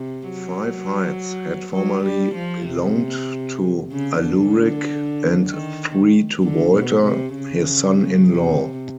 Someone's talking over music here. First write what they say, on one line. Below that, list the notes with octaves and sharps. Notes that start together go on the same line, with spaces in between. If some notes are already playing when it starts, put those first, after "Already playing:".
Five hides had formerly belonged to Aluric and three to Walter, his son-in-law.
Already playing: C3
F#3
F#3
G3
F3
C3
C#3
D3
D#3
D3
B2
C3
C#3
C3